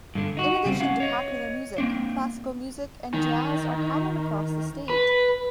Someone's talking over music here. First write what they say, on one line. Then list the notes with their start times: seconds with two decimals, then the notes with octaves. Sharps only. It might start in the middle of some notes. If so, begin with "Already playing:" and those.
In addition to popular music, classical music and jazz are common across the state.
0.15 G2 D3
0.37 D#4 F#4
0.66 C#3 G3 C4
0.81 C#4 F5 F#5
1.00 C#5 D#5
1.78 A#3 C4 D4
3.14 D#3
4.90 B4